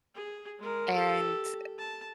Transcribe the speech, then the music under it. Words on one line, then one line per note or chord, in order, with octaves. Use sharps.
and eh,
G#4
G#3 A#4
G4 A4
A5